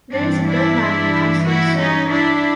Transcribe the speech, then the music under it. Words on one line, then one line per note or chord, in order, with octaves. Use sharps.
There is a bellman announcing something.
G2 E3 C4 D4
D4 E4
E4 F#4
C#4 D#4
D4 E4